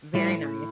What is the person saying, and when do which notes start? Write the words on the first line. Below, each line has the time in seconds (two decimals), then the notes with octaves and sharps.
very nice.
0.15 A2 G3